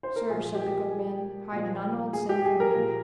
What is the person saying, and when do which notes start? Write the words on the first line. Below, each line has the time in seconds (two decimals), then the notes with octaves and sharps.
Sir, said the good man, hide none old sin from me.
0.03 C5
0.16 A#4
0.30 A#2 F3 G#4
0.55 G4
0.61 G#4
0.91 G#4
1.52 A#2 F3
2.13 G#4
2.29 G4
2.45 G#4
2.60 A#4
2.74 A#2 F3